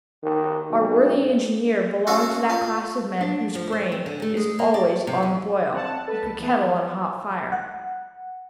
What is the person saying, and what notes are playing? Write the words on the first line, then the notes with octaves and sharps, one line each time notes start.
Our worthy engineer belonged to that class of men whose brain is always on the boil, like a kettle on a hot fire.
D#3
B1
C#4 F#4 A4 E5 F5
F4
D4
F3
C5
C4
D3
A3
G#3
A#3
D5
C3
E2
C4 F#5 A5
A4 B4 A5
C#2
E3 B3
F#5